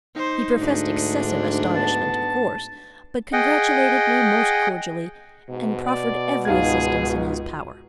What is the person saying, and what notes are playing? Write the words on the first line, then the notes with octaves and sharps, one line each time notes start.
He professed excessive astonishment, of course, but congratulated me most cordially, and proffered every assistance in his power.
D#4 C5
D2 G#2 D4
B3 A5
G#4 D#5 F#5 G5
G#2 B2
D5
C#2 G#2 G#4 F5 G#6